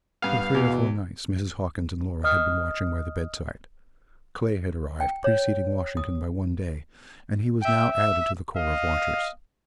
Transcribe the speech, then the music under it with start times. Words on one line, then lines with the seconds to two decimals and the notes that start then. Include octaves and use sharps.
For three or four nights Mrs. Hawkins and Laura had been watching by the bedside; Clay had arrived, preceding Washington by one day, and he was now added to the corps of watchers.
0.22 G2 B3 F5
0.55 E2 B2
2.24 D#5 D#6 F6
5.00 G5
5.24 C#5
5.97 D#6
7.62 E5 G5
7.93 E5
8.56 D#5 F5